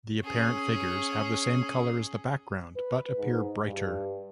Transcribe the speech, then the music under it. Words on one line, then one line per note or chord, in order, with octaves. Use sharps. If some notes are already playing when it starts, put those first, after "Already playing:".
The apparent figures have the same color as the background, but appear brighter.
C#4 G#4
B4
G#2
G2